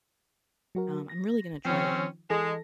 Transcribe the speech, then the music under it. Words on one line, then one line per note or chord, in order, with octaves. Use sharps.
Um, I'm really gonna try to
F#3 F#4 A#4
A#6
D#3 F3 C4 C#4
E3 G#3 A4 A#6